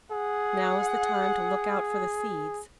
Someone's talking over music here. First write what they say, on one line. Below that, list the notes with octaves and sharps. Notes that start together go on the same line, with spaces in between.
Now is the time to look out for the seeds.
G#4 F#5